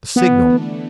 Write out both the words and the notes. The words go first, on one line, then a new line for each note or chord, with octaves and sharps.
The signal!
E3 B3
D3
E3
A3
D4
B3